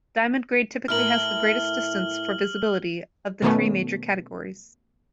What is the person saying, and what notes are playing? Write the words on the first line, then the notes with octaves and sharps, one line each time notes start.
Diamond grade typically has the greatest distance for visibility of the three major categories.
A2 E4 A#4 F6 F#7
B2 D#3 A3 B3 C#4